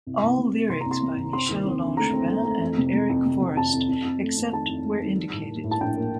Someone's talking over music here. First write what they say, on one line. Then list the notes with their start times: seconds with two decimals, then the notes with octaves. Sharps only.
All lyrics by Michel Langevin and Eric Forrest, except where indicated.
0.07 C2
0.23 C2
0.38 C3
0.54 A#3
0.69 C2 C6
0.81 A#5
0.86 C2
0.91 C6
1.02 C3
1.17 C2
1.33 C4 C6
1.49 D#2
1.65 C4
1.81 D3
1.97 A3 A#5
2.13 C4
2.30 A3
2.45 A3
2.62 F2
2.78 C3
2.94 C3
3.10 F2
3.25 C3
3.41 C3
3.57 F2 A5
3.73 F2
3.89 F2
4.04 F2
4.21 A3
4.37 F2
4.52 D#3 A5
4.69 F2
4.85 A3
5.01 D#3
5.16 G3
5.33 A2
5.49 A#3
5.64 A2
5.71 A5
5.81 A#1 G5
5.97 A#3